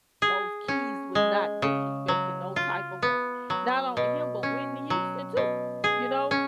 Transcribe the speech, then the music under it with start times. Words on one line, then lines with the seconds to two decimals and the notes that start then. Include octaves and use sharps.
those keys with not disrespecting no type of woman. Not only him, but Whitney Houston too, you know?
0.22 G#4
0.68 C#4
1.15 G#3
1.62 C#3
2.08 F#3
2.56 F4
3.03 B3
3.50 F#3
3.97 B2
4.43 C#4
4.90 F#3
5.37 B2
5.84 G#4
6.31 C#4